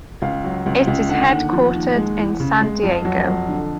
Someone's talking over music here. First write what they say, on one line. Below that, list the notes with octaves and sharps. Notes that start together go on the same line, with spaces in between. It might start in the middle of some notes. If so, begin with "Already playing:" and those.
It is headquartered in San Diego.
C#2 F5
F#3
C#2
C#2
D3 F#5
D#2
F3
D#2
G#3
E2
C#3
G#3
F2
F#3
F2
D3